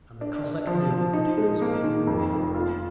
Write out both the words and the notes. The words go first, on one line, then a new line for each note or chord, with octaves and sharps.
And the Cossack movement was no more....
D4
D4
F3
F3
D#4
G#3
A#3
D#3
F2
F1
F4